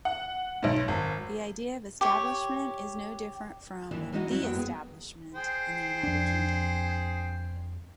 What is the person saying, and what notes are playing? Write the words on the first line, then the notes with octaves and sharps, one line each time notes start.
The idea of Establishment is no different from "The Establishment" in the United Kingdom.
F#5
B1 G#2
G#1
G4 C#5
D#2 E3 D4
E3 G#3 C#4 D#4 F#4
F#3 G3 E4 F#4
F#2 F#3 B3 G5
B3 G#4
G#4 C5 G5
F2 D4